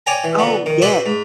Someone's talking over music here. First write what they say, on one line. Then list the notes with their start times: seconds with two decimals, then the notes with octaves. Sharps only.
Oh, yes.
0.06 C#5 D5 G5 G#5 A#5
0.24 E3
0.38 F2 D3 B3
0.66 D#3
0.82 F#4 B4 C5 D5 E5 F#5
1.06 G#2